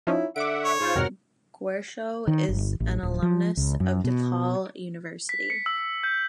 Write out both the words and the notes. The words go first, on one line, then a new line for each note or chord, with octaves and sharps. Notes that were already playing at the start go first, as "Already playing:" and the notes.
Guercio is an alumnus of DePaul University.
F3 C#4 D#4 E4
D3 E5 F#5 D6 D7
C#5
G#2 F4 C5
F2 G#2 C3 F#3 A#4 F#5 F6
D#3
G1
A1
D1
F3
C#2
F#2
B2
B6
C#7
E6
G6